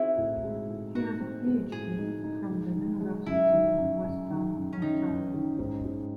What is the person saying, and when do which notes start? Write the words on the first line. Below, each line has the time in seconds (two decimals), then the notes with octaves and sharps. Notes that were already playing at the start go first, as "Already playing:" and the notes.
He has a PhD from the University of Western Ontario.
Already playing: C4 D#4 E4 F#4 G#4
0.17 A2
0.43 G#3
0.69 A2
0.95 D#4 F#4
1.20 C4
1.47 G#3
1.72 A2 G#4
1.98 D#4
2.24 D#4
2.50 G#3
2.75 D#3
3.00 G#3
3.26 F#2 E4
3.52 D#3
3.78 F#2
4.04 F#2
4.30 D#3
4.55 F#2
4.73 C#4
4.82 D#3 D#4
5.08 F#2
5.34 D#3
5.58 G#2
5.85 G#2